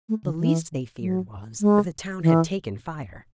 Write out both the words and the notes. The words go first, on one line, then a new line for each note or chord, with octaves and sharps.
The least they feared was, that the town had taken fire.
A3
D3
E3
F#3
G#3
E3